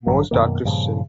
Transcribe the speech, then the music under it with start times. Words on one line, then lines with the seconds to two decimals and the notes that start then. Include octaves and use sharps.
Most are Christians.
0.07 A1 G2 D3 F#3
0.31 F#2 B2 D#3 A#3
0.65 G2 A#2 C#3 F3